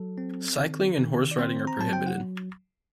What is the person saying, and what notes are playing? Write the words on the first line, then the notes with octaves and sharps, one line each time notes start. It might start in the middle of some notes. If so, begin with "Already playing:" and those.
Cycling and Horse Riding are prohibited.
Already playing: F#3 A4
C4
D#3
D#3
D5
C4 C5
A#5
F#3 A5
G5
F#5